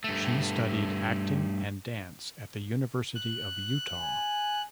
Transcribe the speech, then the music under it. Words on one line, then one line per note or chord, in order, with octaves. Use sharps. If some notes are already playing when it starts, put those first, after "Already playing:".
She studied acting and dance at the University of Utah.
G2 A3
F#6
G#5